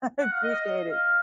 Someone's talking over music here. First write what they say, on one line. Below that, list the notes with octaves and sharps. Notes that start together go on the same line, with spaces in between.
I appreciate it.
F#5
F5
D#5
D#5
F5